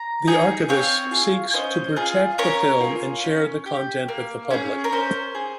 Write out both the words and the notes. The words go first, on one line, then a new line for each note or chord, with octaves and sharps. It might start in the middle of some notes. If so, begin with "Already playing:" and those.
The archivist seeks to protect the film and share the content with the public.
Already playing: A#5
D#4 G#4
C4 C#5 F5
F4 G#4
C#4 C5 D#5
F4 G#4
C#4 A#4 C#5
F4 G#4
C#4
G4
A#3
C#4 G#4
A#4
C#4 C5
G#4